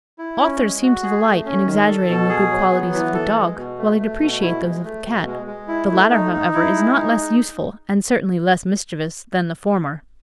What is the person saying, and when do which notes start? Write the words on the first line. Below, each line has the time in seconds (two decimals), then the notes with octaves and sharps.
"Authors seem to delight in exaggerating the good qualities of the Dog, while they depreciate those of the Cat; the latter, however, is not less useful, and certainly less mischievous, than the former."
0.18 E4
0.40 C#4
0.61 G#3
0.81 F#4
1.03 G#4
1.24 A3
1.45 C#4
1.66 D#3
1.87 A4
2.09 B2
2.29 G#4
2.51 F#3
2.71 B3
2.93 E3
3.14 A4
3.36 G#3
3.56 B2
3.78 A3
3.99 A3
4.21 B2
4.41 E4
4.62 G#3
4.84 A3
5.05 B2
5.27 G#3
5.47 G#3
5.68 E4
5.90 A3
6.11 D#4
6.32 D#4
6.54 E4
6.75 G#3
6.96 D#4